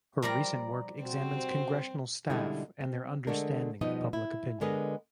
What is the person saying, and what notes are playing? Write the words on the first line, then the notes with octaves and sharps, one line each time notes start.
Her recent work examines Congressional staff and their understanding of public opinion.
F3 G3 F4 A#4 D5 A#5
C3 C4 F#4 C5
B2 D3 G3 G#3 D#4 E4
C4
D3 G#3 A3 D4 A#4
B2 F3 G3 B3 D#4 D#5
E4
D3 G#3 B3 A#4 B4 D#5